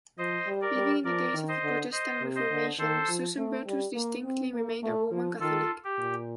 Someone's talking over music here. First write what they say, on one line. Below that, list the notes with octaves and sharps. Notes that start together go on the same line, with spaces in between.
Living in the days of the Protestant Reformation, Susenbrotus distinctly remained a Roman Catholic.
F3 C5 D#5
G3
A#4 D5
G3
F3 A#4 D5
D#3
C5 D#5
D3
C5 D#5
C3
C5 D#5
D3
D#3 A4 C5
F3
A3
G3
A#3
C4
A#3
A3
F3
D#3 F4 A4
G4
A#2